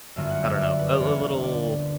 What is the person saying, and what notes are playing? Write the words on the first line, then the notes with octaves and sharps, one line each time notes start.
I don't know, a l little,
G1 F#2 D3 A#3 E5
F#5
E5
D5
B4
D5
E1 D2 D3 A#3 C#5
D5